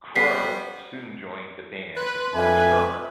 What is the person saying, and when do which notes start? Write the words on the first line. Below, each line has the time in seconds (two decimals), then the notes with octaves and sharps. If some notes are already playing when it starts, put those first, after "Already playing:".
Crowe soon joined the band as a drummer.
0.16 G3 B3 B6 C7
1.97 B4 C6 F#6
2.33 F2 D4 E5 G#5